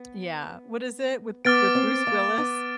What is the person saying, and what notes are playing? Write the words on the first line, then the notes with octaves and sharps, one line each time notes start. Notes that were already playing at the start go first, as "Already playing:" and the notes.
yeah. What is it? With with Bruce Willis?
Already playing: B3
B3 D6 F6 A6 D7
C4
A#3
B3